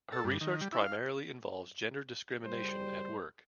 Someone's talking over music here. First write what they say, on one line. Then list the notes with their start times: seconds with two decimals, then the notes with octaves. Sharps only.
Her research primarily involves gender discrimination at work.
0.12 A4
0.24 G2
0.41 D#3
0.61 G3
0.73 E4
0.85 F5
2.45 F#1 G3 C5